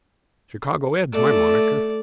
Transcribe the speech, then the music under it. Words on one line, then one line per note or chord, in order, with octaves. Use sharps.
"Chicago Ed.'s my monaker."
A3 D5